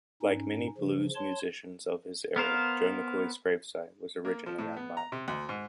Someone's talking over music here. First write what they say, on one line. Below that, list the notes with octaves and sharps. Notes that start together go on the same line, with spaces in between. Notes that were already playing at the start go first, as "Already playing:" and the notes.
Like many blues musicians of his era, Joe McCoy's grave site was originally unmarked.
G#2 C#4 D#4
C#3 F3
C#5 A5 C6
B3 A#4 C5 F5
A#3
F3
A2
B3
A#5
C3
D2
G#2